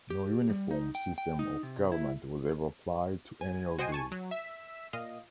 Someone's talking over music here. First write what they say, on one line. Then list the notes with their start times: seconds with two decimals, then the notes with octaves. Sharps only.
No uniform system of government was ever applied to any of these.
0.10 G4
0.50 G3
0.71 D#4
0.95 G5
1.18 G5
1.39 D#4
1.63 C3
1.92 E4
3.41 G#5
3.78 F#4 C5 D#5 G5 G#5
3.92 G#5 A5 C#6
4.12 F#3
4.31 E5
4.93 A#2 D#5 F5